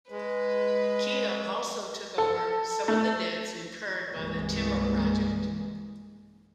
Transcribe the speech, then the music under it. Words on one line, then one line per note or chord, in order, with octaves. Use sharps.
Kia also took over some of the debts incurred by the Timor project.
G#3 B4
A4
A3
C2 G2 E3 G#3 A#3